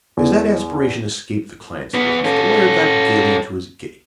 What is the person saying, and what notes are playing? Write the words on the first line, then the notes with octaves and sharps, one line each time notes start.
As that aspiration escaped the client's lips, the lawyer got gayly into his gig.
E2
E2 B3
C#4 A4